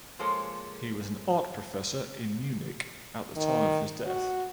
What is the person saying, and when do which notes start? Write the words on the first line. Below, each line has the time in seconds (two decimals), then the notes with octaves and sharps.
He was an art professor in Munich at the time of his death.
0.19 F3 G#3 A#3 A4 C5 C#5
3.36 D#3
4.05 F#4